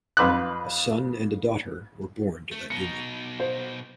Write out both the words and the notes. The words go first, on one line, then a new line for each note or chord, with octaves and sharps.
A son and a daughter were born to that union.
F2 B4 C6 D6 E6 F#6
A3
B2 D#4 C#7
C5